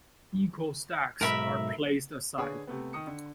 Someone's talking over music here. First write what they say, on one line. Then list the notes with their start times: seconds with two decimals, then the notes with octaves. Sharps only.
Equal stacks are placed aside.
1.21 B1 G#2 A#4 E5 B5
2.38 D3 G#4 B4 C#5
2.67 C3 A3 B3
2.93 D#3 D#6 C#7
3.07 D3